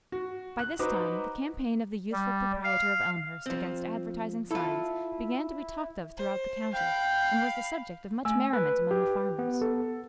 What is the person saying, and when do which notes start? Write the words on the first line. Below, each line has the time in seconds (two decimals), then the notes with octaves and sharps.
By this time the campaign of the youthful proprietor of Elmhurst against advertising signs began to be talked of throughout the county, and was the subject of much merriment among the farmers.
0.12 F#4
0.59 F#6
0.79 D#4 F#4 B4 C5 A#5 D6
2.12 G3
2.64 F5
3.46 F3 C4
4.51 E4 F4 A4
6.17 C5
6.74 F5 G5 B5
8.25 A3 G#5 E6
8.53 B4
8.91 G4
9.39 B3
9.62 A4